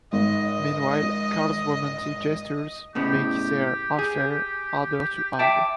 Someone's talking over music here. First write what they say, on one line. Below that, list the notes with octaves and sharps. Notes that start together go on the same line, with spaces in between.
Meanwhile, Karl's romantic gestures make their affair harder to hide.
G#1 D#5
A2 C#3 B3 G4
G#4
E5 G5 A5 D6